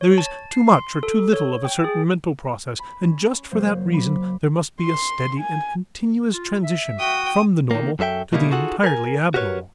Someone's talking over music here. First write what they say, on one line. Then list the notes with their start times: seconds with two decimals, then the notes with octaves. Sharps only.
There is too much or too little of a certain mental process and just for that reason there must be a steady and continuous transition from the normal to the entirely abnormal.
0.01 C#5
0.18 A5
0.51 C7
0.73 C6
1.03 A4
1.33 C#5
1.65 G5
1.84 G#4
2.79 B5
3.01 C#4
3.51 F#1 F#3 A#3 C5
3.93 B5 D6
4.81 C6
5.40 G#5
6.34 F4
6.63 E5
6.99 F#4 G5 D#6
7.71 D#3 A#3
7.99 F#2 F#3 A4 E5 G5
8.32 B2 D#3 G3 A#3 D#4 E4
8.50 D#4 F4 F#4 G#4 A4 F#5
8.84 A#4 G#5
9.34 F#4 G4 A#4 B4 C#5